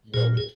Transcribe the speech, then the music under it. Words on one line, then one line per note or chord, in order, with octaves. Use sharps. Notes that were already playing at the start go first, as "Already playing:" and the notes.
you know, with,
A#2 G#4
G#4